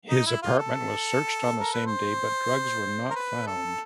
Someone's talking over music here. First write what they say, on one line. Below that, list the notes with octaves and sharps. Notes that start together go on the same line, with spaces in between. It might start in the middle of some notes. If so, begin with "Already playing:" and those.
His apartment was searched on the same day but drugs were not found.
D#4
E4
F4
A4
A#4
B4
C5
A#4
B4
A4